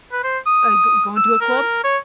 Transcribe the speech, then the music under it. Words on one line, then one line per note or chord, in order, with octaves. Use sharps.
Uh, g going to a club?
B4
C5
D#6
E6
A#4
C#5